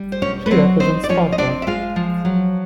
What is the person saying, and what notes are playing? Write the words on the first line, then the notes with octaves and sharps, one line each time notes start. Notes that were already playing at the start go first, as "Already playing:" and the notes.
She represents Sparta.
Already playing: G3
C5
B2 C#4 C#5
B4
F#3 C4 C5
C4 D#4 C5
D5
F3 C#4 C#5
D#5
C4 D4 D5
E5
G#3 F4 F5
F3
F#3